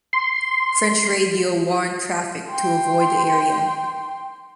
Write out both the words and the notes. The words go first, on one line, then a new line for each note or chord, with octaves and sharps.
French radio warned traffic to avoid the area.
C6
G5 C6